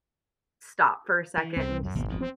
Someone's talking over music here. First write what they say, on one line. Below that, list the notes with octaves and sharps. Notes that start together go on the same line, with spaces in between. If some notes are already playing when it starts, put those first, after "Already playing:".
stop for a second and just
E3
C2 C4
F#2
G#1 D#2 B2 A#3
E1 F2 B2
C4